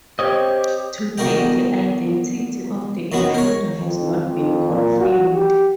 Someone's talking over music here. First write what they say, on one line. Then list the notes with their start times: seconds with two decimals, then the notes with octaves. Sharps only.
To date the identity of the intruder has not been confirmed.
0.19 C4 G4 C#5 D#5
1.18 E2 D3 F#4 A#4 D#5 G5
3.12 F#2 D#3 F#3 B3 F#4
3.34 A#4 C#5
3.79 F2
4.24 F2
4.70 A#2
5.00 F#4
5.34 G4